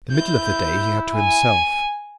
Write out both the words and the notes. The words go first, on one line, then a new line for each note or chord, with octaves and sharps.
The middle of the day he had to himself.
E4 G6
G#5